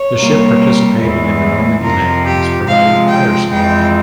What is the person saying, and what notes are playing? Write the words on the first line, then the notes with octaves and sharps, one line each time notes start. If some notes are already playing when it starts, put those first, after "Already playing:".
The ship participated in the Normandy landings providing fire support.
Already playing: C#5
C3 G3 A#3
E2 E3 G#3
F2 C3 F3 A#4
G4
C3 F3 G#3 F5
G5
F2 E3 G#3 G5